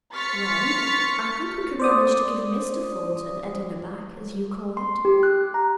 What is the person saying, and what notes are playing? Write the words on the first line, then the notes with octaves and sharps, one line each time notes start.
'Well, I think we could manage to give Mr. Thornton a dinner back, as you call it.
C6 C#6 F6 A6 B6 C#7
C5 D5 D#6
C6
G4
F#6
A#5